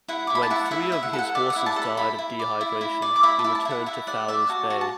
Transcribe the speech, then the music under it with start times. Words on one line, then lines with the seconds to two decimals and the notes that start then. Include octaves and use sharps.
When three of his horses died of dehydration, he returned to Fowler's Bay.
0.08 E4 F#5
0.27 D6
0.30 E4 B5
0.43 A5
0.50 E4 F#5
0.65 F#5
0.71 E4 E5
0.92 E4 E5
1.03 F#5
1.13 A4
1.19 F#5
1.35 D5 E5
1.50 F#5
1.56 E4
1.66 A5
1.76 A4
1.82 B5
1.97 E4 B5
2.18 E4
2.39 D5
2.61 E4
2.81 E4
3.02 D5
3.16 D6
3.23 E4 B5
3.39 A5
3.44 E4
3.55 A5
3.65 E4
3.71 F#5
3.86 E4 E5
4.07 D5 F#5
4.28 D5 E5
4.49 F#4 A5
4.70 F#4
4.81 A5